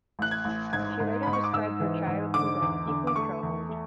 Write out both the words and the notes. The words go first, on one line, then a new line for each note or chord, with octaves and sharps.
She later described her childhood as deeply troubled.
A1 F#6
G#6
A1
G#2 G#6
G#2
G#2 B5
C#6
D6
G#2 E6
E3
G#2
D3 D6
E2
D3
D6
A3 C#6
E2
A3